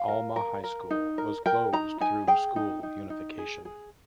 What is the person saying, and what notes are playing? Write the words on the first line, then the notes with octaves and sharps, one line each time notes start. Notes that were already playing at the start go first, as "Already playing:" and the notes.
Alma High School was closed through school unification.
Already playing: F5
A#4
A#4
A#4
D#4
A#4
A#4 G5
D#4 A#5
D#4 G#5
G#4 G5
D#4
D#4
D#4
G#4
G#4